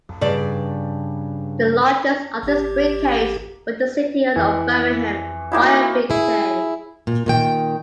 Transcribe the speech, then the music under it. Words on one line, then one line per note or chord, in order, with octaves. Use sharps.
The largest of these brigades was the City of Birmingham Fire Brigade.
G2 C#3 D5
G#1 G4
F2 E3 E4
A#3 D#4 E4 F#4
E4 G#4
A#2
A#2 D#3 G5